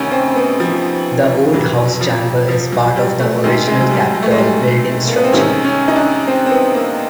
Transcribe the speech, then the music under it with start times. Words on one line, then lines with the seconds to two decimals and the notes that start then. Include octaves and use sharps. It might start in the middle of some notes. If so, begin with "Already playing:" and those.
The Old House Chamber is part of the original Capitol building structure.
Already playing: D2 C3 D#3 C#4
0.12 C4
0.36 B3
0.60 F3
1.53 F2 C3 E3 F#3
2.01 F3
2.48 F3
2.72 F#3
2.96 G3
3.20 A3
3.44 D2 C3 D#3 G#3
3.67 G#3
3.81 F#3
3.91 G3
4.14 F#3
4.22 A3
4.31 G#3
4.38 G3
5.07 A#3
5.16 B3
5.24 C4
5.32 C#2 C3 D#3 C#4
5.64 C#4
5.88 D#4
5.96 D4
6.27 C4
6.46 C4
6.51 B3
6.74 A#3